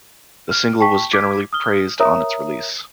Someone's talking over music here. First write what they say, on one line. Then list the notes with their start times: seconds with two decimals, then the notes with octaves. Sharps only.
The single was generally praised on its release.
0.51 F6
0.81 G5 A5 C#6 B6
1.13 D6 G#6 B6 D7
1.53 D#6 F6 G7
1.99 A#4 C#5 E5 A#5 D#6